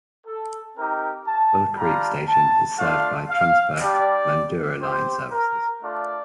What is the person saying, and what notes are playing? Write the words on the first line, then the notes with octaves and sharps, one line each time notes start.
Bull Creek station is served by Transperth Mandurah line services.
A4
C4 D#4 G4 A#4
A5
G3 D4 F4 A#5
A5
A3 D4 F4 F5
F5
G3 D4 G4 D5
C4 G4 C5
A#4
A3 D4 F4 D5